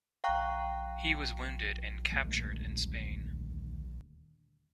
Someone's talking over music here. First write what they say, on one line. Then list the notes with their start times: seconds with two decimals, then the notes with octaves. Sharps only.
He was wounded and captured in Spain.
0.24 F5 G5 A#5 C#6 F#6
2.12 D#1 D2 G#3 A#3